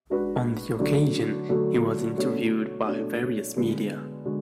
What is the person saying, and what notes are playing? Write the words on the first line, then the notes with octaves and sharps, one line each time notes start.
On the occasion, he was interviewed by various media.
G#3 D4 F#4 B4
D3 F#3 A3 D4 F#4
D3 F#3 A3 D4 F#4
B2 A3 D4 F#4 C#5
B2 A3 D4 F#4 C#5
D3 G#3 B3 F#4 B4
D3 G#3 F#4